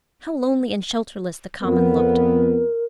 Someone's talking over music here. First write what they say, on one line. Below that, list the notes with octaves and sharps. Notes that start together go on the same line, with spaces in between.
How lonely and shelterless the common looked!
F2 B3 A#4